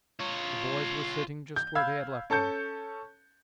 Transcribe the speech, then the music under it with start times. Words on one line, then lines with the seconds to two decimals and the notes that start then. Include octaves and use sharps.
The boys were sitting just where they had left them.
0.20 F4 C#5
1.56 G6
1.75 F5 B5 E6 G#6
2.30 C#4 A4 A5 G6 C#7